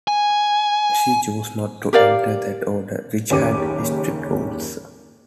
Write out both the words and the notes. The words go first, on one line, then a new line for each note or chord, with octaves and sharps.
She chose not to enter that order, which had strict rules.
G#5
G4 A#4 D5 F5
F#1 D#2 C#4 G4 D6 D#7